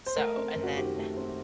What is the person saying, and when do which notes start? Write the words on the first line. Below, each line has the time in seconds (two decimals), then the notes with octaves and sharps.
So and then,
0.06 C5
0.17 A3 A#4
0.37 C4
0.56 F#2
0.63 F#4
0.77 D#3 G4
0.96 A3
1.17 C4